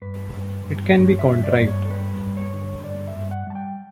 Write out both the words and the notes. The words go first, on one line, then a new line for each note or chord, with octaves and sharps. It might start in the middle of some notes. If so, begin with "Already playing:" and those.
It can be contrived.
G2 B4
G2
G2
G2 C#5
E5
G2
D5
G2
C#5
A4
G3 B4
G2
C#5
D3
G2 D5
E5
G2
F#5
G3 A5
G5